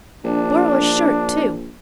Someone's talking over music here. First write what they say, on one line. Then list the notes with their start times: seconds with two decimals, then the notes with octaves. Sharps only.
"Borrow a shirt, too."
0.24 A#1 D4